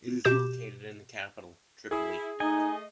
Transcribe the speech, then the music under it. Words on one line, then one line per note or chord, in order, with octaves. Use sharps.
It is located in the capital, Tripoli.
B2 G4 D6 G6 E7
E4 G#4 D#6
A3 D#4 D#5 G#5